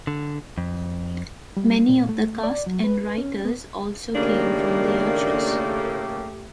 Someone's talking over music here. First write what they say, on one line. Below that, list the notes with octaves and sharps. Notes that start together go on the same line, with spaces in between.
Many of the cast and writers also came from "The Archers".
D3
F2
G3
A#2
A3
D5
F#3
B4
C#4
B3
D#2 A2 C#3 A3 A#3 D4 G4